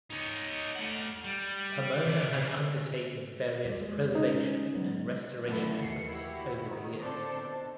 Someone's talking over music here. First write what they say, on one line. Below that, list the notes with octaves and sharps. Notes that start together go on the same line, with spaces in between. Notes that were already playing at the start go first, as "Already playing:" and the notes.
Pomona has undertaken various preservation and restoration efforts over the years.
D#4 C#5
A3 F#5
G3
C3 D5
C#3 A#3
F2 G3
G#3
C#4 D#4
F#3 G#3 B3
F#2 E3 F3 A3 B3 E4
D#2 C7 C#7
E4 F#4 G4
D#3
D3 C4 D4 A4 C5
B2